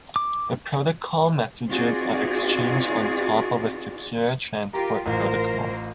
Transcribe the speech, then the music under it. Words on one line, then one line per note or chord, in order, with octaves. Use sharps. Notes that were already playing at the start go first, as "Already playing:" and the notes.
The protocol messages are exchanged on top of a secure transport protocol.
D6
C4 D#4 F4 F#4 G#4 D5
F4 G4 A#4 A#5
A1 F4 A#4 C5